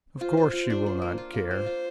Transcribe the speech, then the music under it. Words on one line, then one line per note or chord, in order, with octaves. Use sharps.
Of course she will not care.
F4 C5
F4
F4
D4
D4
A#3
F4
A#3
A#3 C5
F4